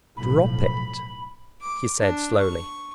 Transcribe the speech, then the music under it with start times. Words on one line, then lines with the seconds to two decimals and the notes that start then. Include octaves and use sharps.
"Drop it?" he said slowly ...
0.16 B1 A2 F3 B5
1.61 D6
1.99 D4
2.40 C#6